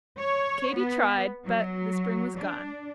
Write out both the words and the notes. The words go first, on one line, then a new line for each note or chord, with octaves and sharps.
Katy tried, but the spring was gone.
C#5
B3
F#3
D4